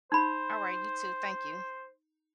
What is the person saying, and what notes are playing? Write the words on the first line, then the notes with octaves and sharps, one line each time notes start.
All right, you too. Thank you
D#4 C5 B5